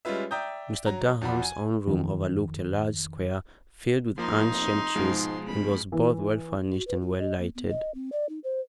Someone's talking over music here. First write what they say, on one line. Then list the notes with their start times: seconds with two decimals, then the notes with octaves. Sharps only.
Mr. Durham's own room overlooked a large square filled with ancient trees, and was both well-furnished and well-lighted.
0.05 G3 G#3 C#4 F4 B4 E5
0.31 D5 E5 G5 A#5 D#6 G6
0.86 F#3 A#5
1.21 E2 F3 F#4 B5
1.42 G#5
1.87 F2 D#3
4.18 F3 A#3 D#4 C6
4.52 F1
4.96 G#2 B2 F3 G#3
5.47 D1 B5
5.92 E3
6.73 F#4
6.87 B4
7.01 F4
7.19 D#5
7.39 A#3
7.55 B3
7.70 D#5
7.94 C4
8.12 D5
8.29 D#4
8.44 C5